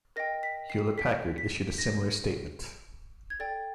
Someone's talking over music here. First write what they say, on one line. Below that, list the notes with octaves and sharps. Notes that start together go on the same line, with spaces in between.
Hewlett-Packard issued a similar statement.
A#4 D#5 G5 A#6
B6
C7
B6
B6
A#6
G#6
A4 D5 G5 A6